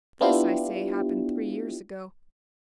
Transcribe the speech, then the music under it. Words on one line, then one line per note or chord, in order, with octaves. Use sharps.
This, I say, happened three years ago.
B3 D4 E4 F4 G4